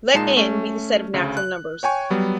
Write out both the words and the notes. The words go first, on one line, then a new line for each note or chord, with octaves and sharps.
Let N be the set of natural numbers.
A#2 G#3 D#4 A5 C7 E7
A3 C#4
D2 C#3
F#6
C#5 G5 G#5 C#6
F#3 G3 B3